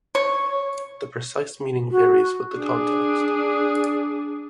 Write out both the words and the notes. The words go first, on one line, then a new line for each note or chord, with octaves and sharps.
The precise meaning varies with the context.
C#5
F#4
D4 G#4